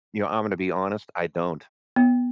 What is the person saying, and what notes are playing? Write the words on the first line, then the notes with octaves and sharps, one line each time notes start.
You know, I'm gonna be honest, I don't
B3